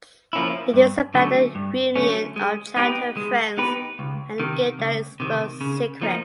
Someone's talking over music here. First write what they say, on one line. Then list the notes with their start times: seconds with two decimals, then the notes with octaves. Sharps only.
It is about the reunion of childhood friends and the game that exposed secrets.
0.33 F3 A#3 C#4 E4
0.74 G2
1.14 D3 F#3 A3 C#4
1.55 G2
1.96 D3 F#3 A3 C#4
2.36 G#3
2.77 B3 D#4 G4 B4
3.17 G#3
3.57 B3 D#4 G4 B4
3.99 C#2
4.40 C3 D#3
4.79 C#2
5.20 C3 D#3
5.61 C#3
6.01 F3 A#3 D#4